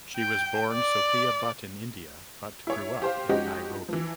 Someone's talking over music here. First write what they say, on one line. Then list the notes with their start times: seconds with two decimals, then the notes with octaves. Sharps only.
She was born Sophia Butt in India but grew up in Nairobi.
0.17 G5
0.73 D5
2.67 E4 C#5
3.02 G4 C5 F5
3.29 F3 G#3 C#4 D#4 F#4 G4
3.88 E3 F3